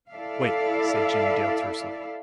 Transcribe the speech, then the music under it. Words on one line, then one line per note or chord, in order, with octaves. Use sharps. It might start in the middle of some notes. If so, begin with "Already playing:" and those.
"Wait!" said Jimmie Dale tersely.
E4 A4 D5 E5 F5